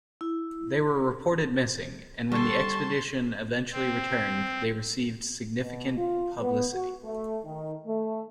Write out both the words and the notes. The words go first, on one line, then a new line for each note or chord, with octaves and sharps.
They were reported missing and when the expedition eventually returned they received significant publicity.
E4
D3 G3 A4 A5 C6 C#6
C4
B2
F4
B3
F#4
A3
D#3
A3